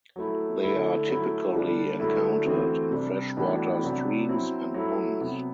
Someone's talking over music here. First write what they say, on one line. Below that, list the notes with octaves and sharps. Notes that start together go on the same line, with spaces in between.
They are typically encountered in freshwater streams and ponds.
F#3 A3 E4
D3 A3 E4
F#3 A3 E4
D3 G3 D4
D3 F#3 A3 E4
E3 A3 C4 F#4
C3 G3 D4
A2 E3 B3 D4 F#4
C3 F#3 B3 D4 F#4
F#3 C4 E4
F#3 A3 E4
C3 F#3 B3